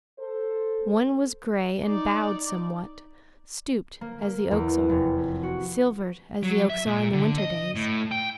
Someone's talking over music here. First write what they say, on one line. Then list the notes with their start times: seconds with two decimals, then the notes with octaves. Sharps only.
One was gray and bowed somewhat, stooped as the oaks are, silvered as the oaks are in the winter days.
0.20 A4 C5
1.86 D#4 D5
4.01 A#3
4.22 A#3
4.51 E2
4.89 F1
5.43 F#4
6.43 F#3
6.70 E5
6.86 A#2
7.12 D3
7.38 D#5
7.75 A2
8.11 G5